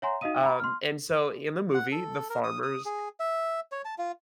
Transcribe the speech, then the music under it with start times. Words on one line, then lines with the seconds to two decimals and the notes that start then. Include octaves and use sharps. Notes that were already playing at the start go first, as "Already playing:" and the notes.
Um, and so in the movie, the farmers,
0.02 C#5 E5 F#5 G#5 A#5 C6
0.21 D#4 F#4 D#5 F5 D#6 D#7
0.41 F#5 A#5 B5
0.60 C6 F6
1.74 F#5
1.92 A4
2.30 A#4
2.44 D#6
2.63 D#6
2.85 G#4
3.20 E5
3.72 C#5
3.85 A5
3.98 F4